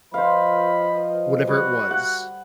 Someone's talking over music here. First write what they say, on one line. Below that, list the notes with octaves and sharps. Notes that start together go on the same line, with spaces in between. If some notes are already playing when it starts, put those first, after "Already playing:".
whatever it was
F3 B4 C5 D#5 F5 B5
G3 F#4
F#5